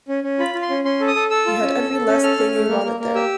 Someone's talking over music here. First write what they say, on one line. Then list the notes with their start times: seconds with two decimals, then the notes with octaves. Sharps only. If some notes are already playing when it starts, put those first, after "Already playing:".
You had every last thing you wanted there.
0.08 C#4
0.24 C#4
0.39 F4 B5
0.54 F4
0.62 C6
0.70 C#4
0.85 C#4 C6
1.01 A4
1.08 D#6
1.15 A4
1.30 A4 E6
1.46 F4
1.62 C#4
1.76 A4
1.92 A4
2.08 C#4
2.23 A4 F6
2.38 C#4
2.54 A3
2.69 A#3
2.85 A#3
3.00 A#3
3.15 G4 E6